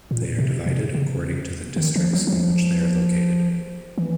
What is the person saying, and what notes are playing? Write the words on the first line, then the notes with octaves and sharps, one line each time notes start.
They are divided according to the districts in which they are located.
A#2
C3
C3
C#3
D#3
F3
F#3
F#3
F3
E3